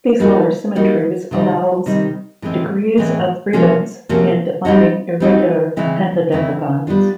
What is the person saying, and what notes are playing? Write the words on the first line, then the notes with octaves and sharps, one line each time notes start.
These lower symmetries allows degrees of freedoms in defining irregular pentadecagons.
G3 A#3 D#4 F#4
G3 A#3 D#4 F#4
C3 D#3 G3 C4 D#4
C3 D#3 G3 C4 D#4
A2 E3 G#3 C4
A2 E3 G#3 C4
C3 F3 A#3 C#4 F#4
C3 F3 A#3 C#4 F#4
G3 C4 D#4 F#4
G3 C4 D#4 F#4
C#3 E3 G#3 C4 E4
C#3 E3 G#3 C4 E4
G3 B3 D4 F4